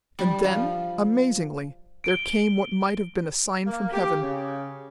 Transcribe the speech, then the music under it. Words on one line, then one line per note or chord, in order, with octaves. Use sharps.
And then, amazingly, there came what might have been a sign from heaven.
G3
F3
D7 G7
A#3
G4
C#3